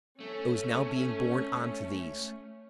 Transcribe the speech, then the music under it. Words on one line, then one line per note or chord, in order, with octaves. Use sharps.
I was now being borne on to these.
A3 C#4